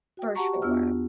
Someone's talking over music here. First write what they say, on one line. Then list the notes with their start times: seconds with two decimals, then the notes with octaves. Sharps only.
For sure.
0.17 F#4 G5
0.35 F#4 G4 F#5 A5 A#5 C#6
0.62 E2 B3 D4 F4 E6 F6